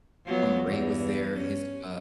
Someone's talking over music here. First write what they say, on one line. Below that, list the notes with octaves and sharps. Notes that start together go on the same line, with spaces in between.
Summer Ray was there, his uh
F3 F#3 B3
E2 G2
C#4